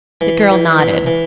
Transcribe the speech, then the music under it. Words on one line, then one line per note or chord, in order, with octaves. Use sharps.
The girl nodded.
E3
E3
E3
E3